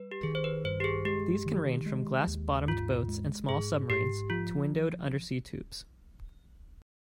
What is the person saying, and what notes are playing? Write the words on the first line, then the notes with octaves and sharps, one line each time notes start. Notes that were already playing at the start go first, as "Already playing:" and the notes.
These can range from glass-bottomed boats and small submarines, to windowed undersea tubes.
Already playing: G3 B4
G4
D#3 G#4
C5
B4
G2 C5
G4
G#4
G#3 G4
D#3
G#3
D#2
G#2 F4
G#3
G#2 G#4
G#2 G4
F3 F4